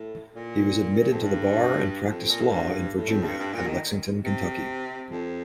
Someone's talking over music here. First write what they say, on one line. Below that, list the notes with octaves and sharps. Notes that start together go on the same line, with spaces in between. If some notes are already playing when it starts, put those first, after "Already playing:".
He was admitted to the bar and practiced law in Virginia and Lexington, Kentucky.
Already playing: A2
A#2
F2
G2
F2
A#2
A2
G2
A2
F2
G2
G2
A#2
D#3
C3
F2